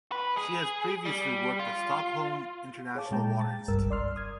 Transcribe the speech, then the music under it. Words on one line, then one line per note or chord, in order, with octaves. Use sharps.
She has previously worked at Stockholm International Water Institute.
B4
G#4
G3
F4
G#4 C#5 F5 A5 D6
A#2 G#3 G5 A5 A#5
A6
G1 C2 G2 A#4 E6
D5 C6 F6
D#6 G#6